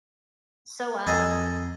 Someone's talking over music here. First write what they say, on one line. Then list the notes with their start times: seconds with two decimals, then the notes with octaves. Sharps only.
so, uh,
1.07 F2 G#4 A4 D#5